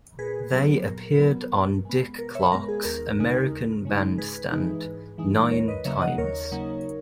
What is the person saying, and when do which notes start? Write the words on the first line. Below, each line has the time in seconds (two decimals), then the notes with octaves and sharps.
They appeared on Dick Clark's "American Bandstand" nine times.
0.19 A#2 G#4 B4
0.52 F#3 B3
0.85 A#2 A#4
1.19 F#3 B3
1.52 B2
1.85 G#3 B3
2.18 B2 A#4
2.35 C#5 E5
2.52 G#3 B3 A#4
2.68 G#4
2.85 D#2 A#4
3.19 C#3 G#3 D#4
3.52 D#2
3.85 C#3 G#3 D#4
4.18 G#2 G#4 B4
4.52 E3 G#3 D#4
4.85 G#2
5.18 E3 G#3 D#4
5.51 D#2 A#4 C#5
5.68 B4 D#5
5.85 C#3 F#3 A#3 D#4 C#5 E5
6.01 D#5 F#5
6.18 D#2 A#4 C#5
6.52 C#3 F#3 A#3 D#4